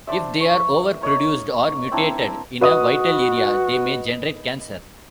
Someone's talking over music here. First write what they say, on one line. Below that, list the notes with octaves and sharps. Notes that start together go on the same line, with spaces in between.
If they are overproduced or mutated in a vital area, they may generate cancer.
D4 C5 D5 E5
C#6
A#3 C#5 D#5
C4 D4 E4 A#5
F#4 B4 D#5 D#6